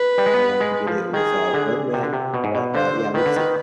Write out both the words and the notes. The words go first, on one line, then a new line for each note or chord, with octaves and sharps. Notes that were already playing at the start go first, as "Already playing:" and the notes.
and he did it with, uh, Redman. But, uh, yeah, I would say,
Already playing: B4
G3
G#3
B3
G#3
F3
D#3 G#4
D3
C3
D3
C3
B2
G#2
B2
D3 C5
D#3 B4
D3
D#3